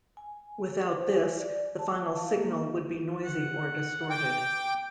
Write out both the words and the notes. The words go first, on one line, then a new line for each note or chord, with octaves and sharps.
Without this, the final signal would be noisy or distorted.
G#5
C5
G#5
D5
A5
F5
A#3
F#5
G5 D6